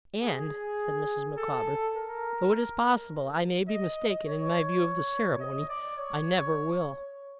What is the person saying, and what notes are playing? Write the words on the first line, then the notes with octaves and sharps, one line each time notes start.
And,' said Mrs. Micawber, 'though it is possible I may be mistaken in my view of the ceremony, I never will!'
G#4
A4
A#4
D#5
C#5
D#5
D5
C#5